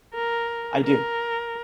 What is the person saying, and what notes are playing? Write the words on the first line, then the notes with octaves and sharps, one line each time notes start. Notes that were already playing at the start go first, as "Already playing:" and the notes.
I do.
A#4
A#4